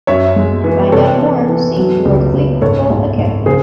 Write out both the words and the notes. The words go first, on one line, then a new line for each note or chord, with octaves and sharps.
To find out more see Northfleet Football Academy.
F#2 C#5 E5
G#3
E3
C3 A4 C#5
E3
E3
F#3
C#2
C#2
G#2 A4 C#5
G#2
G#2
C#3 G#4 C5